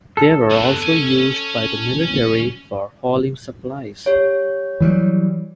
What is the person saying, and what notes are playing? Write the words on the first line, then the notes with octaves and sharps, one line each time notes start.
They were also used by the military for hauling supplies.
A4
B3 D4
C#4 G#5
G4 C#5
E3 F#3 G3